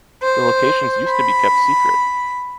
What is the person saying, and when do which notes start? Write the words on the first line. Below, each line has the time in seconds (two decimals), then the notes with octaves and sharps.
The locations used to be kept secret.
0.21 C5
1.08 B5